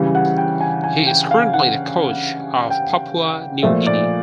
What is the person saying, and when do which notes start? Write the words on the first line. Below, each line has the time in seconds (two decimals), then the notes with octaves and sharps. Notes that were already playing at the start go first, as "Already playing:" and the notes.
He is currently the coach of Papua New Guinea.
Already playing: C#3 E3 G3
0.15 F#5
0.37 G5
0.61 G#5
0.84 G#5
1.07 G5
1.31 F5
1.54 F#5
2.70 G5
3.62 A#2 F3 A3 E5
3.87 D5